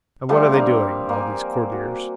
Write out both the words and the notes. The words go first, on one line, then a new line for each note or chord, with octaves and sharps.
And what are they doing, all these courtiers?
D3 F3 G3 A3
A#3 C4
A#3 G#5
F#4